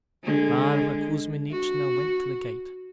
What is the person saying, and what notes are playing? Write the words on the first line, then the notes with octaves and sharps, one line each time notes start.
Mavra Kuzminichna went to the gate.
D3 G#3
F#4